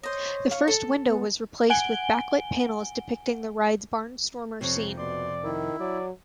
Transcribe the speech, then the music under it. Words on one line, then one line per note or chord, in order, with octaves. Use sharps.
The first window was replaced with backlit panels depicting the ride's barnstormer scene.
C5 C#5 D#5
F5 C#6
A4
B3
F#5 G#5 D7 G7
F2 C3 C#5
B2 D5 C6
D#3 E4
F#3 D5